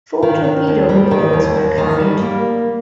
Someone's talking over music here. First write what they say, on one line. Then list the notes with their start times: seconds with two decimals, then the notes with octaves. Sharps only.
Four torpedo reloads were carried.
0.23 D#3
0.44 D#3
0.67 D#2
0.89 G3
1.11 D#3
1.33 D#2
1.56 D#2
1.78 D#3
2.00 G3
2.22 A#3